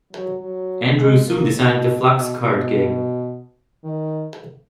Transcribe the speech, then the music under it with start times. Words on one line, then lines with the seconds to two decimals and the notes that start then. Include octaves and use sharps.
Andrew soon designed the Fluxx card game.
0.13 F#3
0.42 F#3
0.98 G#3
1.28 A#3
1.56 B2
2.13 B2
2.41 B2
3.84 D#3